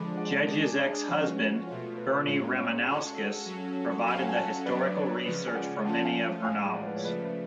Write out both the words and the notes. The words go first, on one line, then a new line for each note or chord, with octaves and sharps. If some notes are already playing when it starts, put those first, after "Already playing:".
Gedge's ex-husband, Bernie Ramanauskas, provided the historical research for many of her novels.
Already playing: D3 F3 G#3 D4 B5 D6
D5 F#5
G#3 D4 G#4
F3 G#3 C#4 F#4
B4
C#5
B2 A3 F4 C#5
B4
A2 G#3 C#4 F4 C#5
C#5 F5
G#3 C#4 F#4 A4
F#3 C#4 F#4 A4
C#6
F#3 C#4 F#4 A4 G#5 B5
F5
F#5
G#5
F#5 A5
F#3 B3 D4 B4 D5
C#5
C#3 F3 G#3 C#4 B4
G#5
D5 F#5
F3 A3 C#4 F4 F#5 A5
F5 G#5
A2 F3 G#3 F5 G#5
D5 F#5
B4
C#5
C#3 F3 A3 B4 D5
B4